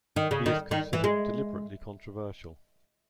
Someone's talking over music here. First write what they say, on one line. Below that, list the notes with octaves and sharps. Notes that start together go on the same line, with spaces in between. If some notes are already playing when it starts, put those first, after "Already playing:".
He is considered deliberately controversial.
D#3
C#3
D#3
D#3
E3
G#3